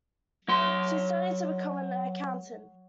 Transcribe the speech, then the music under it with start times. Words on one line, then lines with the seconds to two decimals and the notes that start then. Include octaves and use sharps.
She studied to become an accountant.
0.48 F#3 C6